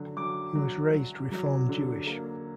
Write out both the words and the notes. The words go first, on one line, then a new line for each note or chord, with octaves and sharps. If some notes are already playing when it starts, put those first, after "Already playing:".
He was raised Reform Jewish.
Already playing: D3 F#3
F#3 D6
F#3
F#3
F#3
D3
A#3